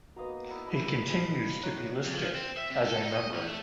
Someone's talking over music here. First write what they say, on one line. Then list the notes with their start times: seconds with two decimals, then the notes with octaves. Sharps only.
He continues to be listed as a member.
0.16 D#3 A#3 B3 F#4 B4 D#5 F5 A#5
0.49 E4 A#4
0.66 B2 D4 E4 A#4 D#5 B5
1.06 A#4 F5 G#5
1.63 A2 C#5 A#5 F#6
2.05 F2
2.16 F3
2.35 C4
2.57 E5
2.70 C3
2.87 A4
3.02 D#4
3.16 D#5
3.34 E2
3.47 A3